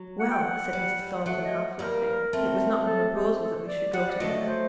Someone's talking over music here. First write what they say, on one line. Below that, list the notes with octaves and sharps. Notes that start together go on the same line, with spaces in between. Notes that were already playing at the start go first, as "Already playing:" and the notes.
'Well!' said Mr. Thornton, half-laughing, 'it was not my proposal that we should go together.
Already playing: F#3
F#5
G5
F#5
G3
G3
F#3 A3 F#5
D#5
G3 A#3 A#4
A3 C4
A4
G4
A4
D5
G3 F#5
D5
F#3 A3 D#5
C5